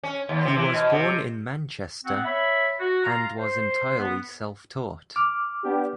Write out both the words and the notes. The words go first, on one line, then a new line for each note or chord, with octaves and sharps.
He was born in Manchester, and was entirely self-taught.
C#4
D#2
C3
E3
B2
C3
B3 C4 F#4 F#5
C#5 E5 B5
F#4
F4 F5 A#5
C5
B3
D6 F6
B3 D4 G4